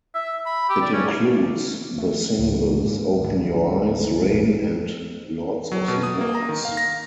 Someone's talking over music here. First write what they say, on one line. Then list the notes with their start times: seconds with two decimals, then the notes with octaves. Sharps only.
It includes the singles "Open Your Eyes", "Rain" and "Lords of the Boards".
0.15 E5
0.46 B5
0.69 G4
0.81 D5
0.93 C#4
1.98 A3
2.38 C#2 G#2
2.85 G#2 G#3 A#3
3.20 G#1 D2 G2
4.29 A#1 E2
5.72 F#3
5.88 B2
6.03 D#6
6.21 A#3
6.35 A#5
6.49 D#3
6.65 F5
6.77 A#6